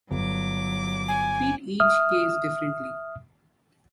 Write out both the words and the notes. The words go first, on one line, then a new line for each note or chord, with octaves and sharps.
Treat each case differently.
G1 F#3 D6
G#5
E5 D#6 F6